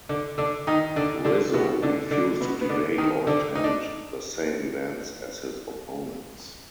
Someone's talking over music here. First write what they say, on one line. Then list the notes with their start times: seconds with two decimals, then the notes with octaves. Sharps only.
Rizzo refused to debate or attend the same events as his opponents.
0.09 D3 D4
0.38 D3 D4
0.67 D#3 D#4
0.96 D3 D4
1.24 D3 D4
1.53 B2 B3
1.82 D3 D4
2.11 D3 D4
2.40 B2 B3
2.61 B3
2.69 D3 D4
2.98 D#3 D#4
3.27 D3 D4
3.55 D#4
3.64 D4